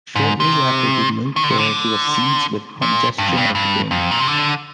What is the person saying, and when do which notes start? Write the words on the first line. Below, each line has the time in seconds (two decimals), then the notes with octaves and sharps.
Shortly after he moved there, he was seized with congestion of the brain.
0.16 G#2
0.40 C3
1.36 D#3
1.43 D3
1.51 C3
1.58 D3
2.82 A#2
3.18 G2
3.28 F2
3.37 G2
3.55 G2
3.91 F2
4.11 A#2
4.19 C3
4.27 D3